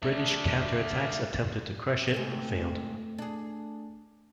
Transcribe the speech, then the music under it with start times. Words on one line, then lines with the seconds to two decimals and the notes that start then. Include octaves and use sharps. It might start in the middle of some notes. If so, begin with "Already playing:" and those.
British counterattacks attempted to crush it but failed.
0.03 A3 D4
2.14 G#2 C3 A3
3.18 D4 G#4